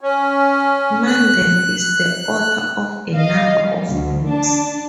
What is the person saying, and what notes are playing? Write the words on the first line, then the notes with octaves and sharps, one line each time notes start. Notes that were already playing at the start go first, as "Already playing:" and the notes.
Mandel is the author of a number of books.
C#4
F#6
D#5 F5
G3
D2
D4 A5